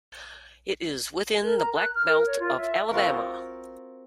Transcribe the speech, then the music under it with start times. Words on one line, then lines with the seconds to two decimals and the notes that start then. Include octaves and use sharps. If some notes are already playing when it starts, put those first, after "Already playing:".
It is within the Black Belt of Alabama.
1.42 A#4
1.57 A#5
1.75 F#6
1.94 F6
2.07 A#4
2.26 C#5
2.39 F4
2.56 E5
2.91 C4 F4 F#4 A#4